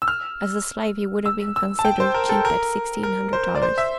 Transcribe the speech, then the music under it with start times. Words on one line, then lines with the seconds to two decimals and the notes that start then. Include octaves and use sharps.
As a slave, he would have been considered cheap at sixteen hundred dollars.
0.02 E6
0.08 F6
1.26 E6
1.56 E6
1.79 A5
1.85 G5
2.00 C5
2.14 A#4
2.29 A4
2.45 A#4
3.03 A#4
3.33 C5
3.55 D5
3.62 C5
3.78 E5